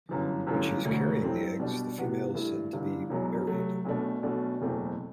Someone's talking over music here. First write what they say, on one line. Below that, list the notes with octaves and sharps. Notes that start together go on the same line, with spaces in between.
When she is carrying the eggs, the female is said to be "berried".
G1 F#2 E3
G1 F#2 E3 A3
E1 D2 D3
G2 F#3 C4 E4 A4
B2 G3 D4
C3 E3 B3 F#4
G2 E3 A3 E4
G1 G2 E3
E1 E2 B2 F#3
C3 F#3 A3
B1 B2 A3 D4
B1 B2 A3 D4
F#1 E2 B2 A3 C4